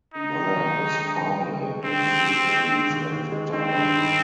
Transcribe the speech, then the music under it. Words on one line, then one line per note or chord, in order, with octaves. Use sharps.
The land was farm land and fruit trees at the time.
D3 D#4
D#2
D#2
G#3
D3
D#2
D#2
G#3
D3 C4
D#2
D#2
G#3
D3
D#2
D#2
G#3
D#3 C4
G2
D#4